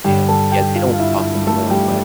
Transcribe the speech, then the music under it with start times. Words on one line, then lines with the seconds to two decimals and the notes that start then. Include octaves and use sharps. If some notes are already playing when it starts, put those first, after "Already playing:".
and yeah, they don't talk anymore, but,
0.04 G2 D3 G4 G5
0.28 A4 A5
0.52 G4 G5
0.75 F4 F5
0.93 F5
0.99 E4 E5
1.47 A3 A4
1.70 G3 G4